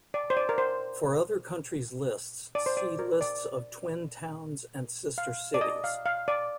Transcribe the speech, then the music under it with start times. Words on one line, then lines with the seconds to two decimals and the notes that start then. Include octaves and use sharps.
For other countries' lists see lists of twin towns and sister cities.
0.14 D5
0.30 C5
0.37 D5
0.49 A#4
0.58 C5
2.55 D5
2.66 C5
2.77 D5
2.99 A#4
3.21 D5
5.18 F5
5.54 D5
5.61 D#5
5.84 F5
6.06 F5
6.28 D5